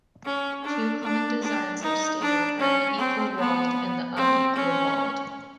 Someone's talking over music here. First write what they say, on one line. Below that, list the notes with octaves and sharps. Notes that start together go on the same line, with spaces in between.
Two common designs of stator are the "equal-walled" and the "unequal-walled".
C#4
D4
D4
D4
D#4
D4
C#4
C4
B3
C4
C#4